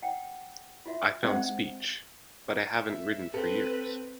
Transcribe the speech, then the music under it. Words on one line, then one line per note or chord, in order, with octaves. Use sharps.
I found speech: "But I haven't ridden for years."
F#5 G5
F4 F#4 E5
G#3 C4 C5 D#5 F#5 G5
E5
C4 A4 B4